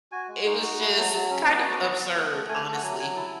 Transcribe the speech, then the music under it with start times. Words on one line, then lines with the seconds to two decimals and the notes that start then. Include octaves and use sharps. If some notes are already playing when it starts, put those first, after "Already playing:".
It was just kind of absurd, honestly,
0.12 F#4 G#5
0.29 G#3
0.45 D#4 C#6
0.62 F#4
0.80 A3 B5
0.97 F#3
1.13 F#3 A5
1.30 C#4
1.47 B3 A5
1.59 G#5
1.64 F#4
1.70 F#5
1.81 B3
1.98 B3
2.15 A3
2.32 A3
2.48 A3 G#5
2.65 A3
2.74 F#5
2.82 F#3 G#5
3.00 F#3 G#5
3.16 E4 A5